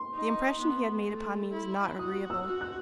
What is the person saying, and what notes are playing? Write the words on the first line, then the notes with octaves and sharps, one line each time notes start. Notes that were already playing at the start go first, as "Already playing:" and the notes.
The impression he had made upon me was not agreeable.
Already playing: C6
D#4
B3
A3
E4
F#4 D#6
E6
F#4
F#6